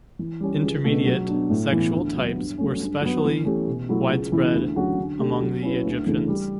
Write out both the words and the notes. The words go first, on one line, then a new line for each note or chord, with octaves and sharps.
Intermediate sexual types were specially widespread among the Egyptians.
E3
G3 C#4
C#2
B2 A3 D4
F#3
B3 D4
A2
E3 B3
D2
D3 F#3 B3
G2
F#3 A3 C#4
G2
F#3 B3
E3
A3 C#4 G4
B2
F#3 A3 E4
C#2
C#3 E3 B3 E4
D2
D3 F#3 C#4 F#4
D3
A3 D4 G4
F#3
C#4 E4 B4
D2
C#3 E3 A3 D4
G3